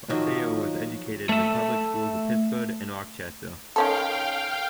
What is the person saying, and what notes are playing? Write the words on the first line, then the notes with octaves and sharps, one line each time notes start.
Rouseau was educated in the public schools of Pittsford and Rochester.
D#3 F3 F#3
A3 E5
D#3 C#4 A4 F5 G5